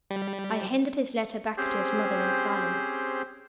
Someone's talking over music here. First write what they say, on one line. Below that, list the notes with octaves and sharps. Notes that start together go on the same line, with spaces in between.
I handed his letter back to his mother in silence.
G3
C4 C#4 G4 G#4 C5